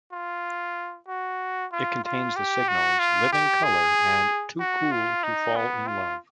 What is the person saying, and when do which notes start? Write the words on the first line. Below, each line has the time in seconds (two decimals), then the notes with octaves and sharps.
It contains the singles "Living Color" and "Too Cool to Fall in Love".
0.12 F4
1.08 F#4
1.72 F4
2.04 F4
2.36 G4
2.68 F#4
2.99 F4
3.32 G4
3.63 G#4
4.59 F#4
4.91 F4
5.24 D#4
5.56 B3
5.88 F4